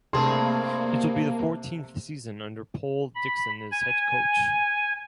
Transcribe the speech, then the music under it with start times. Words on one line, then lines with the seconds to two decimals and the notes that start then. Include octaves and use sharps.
It will be the fourteenth season under Paul Dixon as head coach.
0.13 G2 C3 A3 A#3 C4 G#4 A5 C6
3.15 B5
3.72 G#5